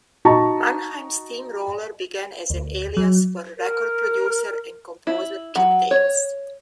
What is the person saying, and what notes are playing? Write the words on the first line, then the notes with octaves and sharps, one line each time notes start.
Mannheim Steamroller began as an alias for record producer and composer Chip Davis.
D#4 F#4 A5 A#5 C#6
D2
F#3
A#4
E4
F#3
C#5